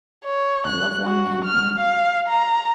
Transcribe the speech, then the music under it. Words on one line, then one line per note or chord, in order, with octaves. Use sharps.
I love one man here.
C#5
F#6
F#4
F6
F5
A#5